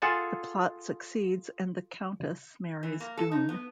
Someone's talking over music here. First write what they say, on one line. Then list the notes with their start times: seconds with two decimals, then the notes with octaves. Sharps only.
The plot succeeds, and the countess marries Doon.
0.02 F4 G#4 A4 F#5 G#5 A5
2.83 E3
3.00 A#3
3.17 A4
3.31 D#4
3.49 B3